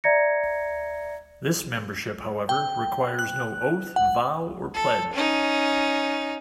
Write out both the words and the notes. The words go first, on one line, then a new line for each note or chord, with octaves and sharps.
This membership, however, requires no oath, vow, or pledge.
D5 E5 A#5 G#6 A#6 C#7
G5
F#6
F#5
A4
C#4 D#4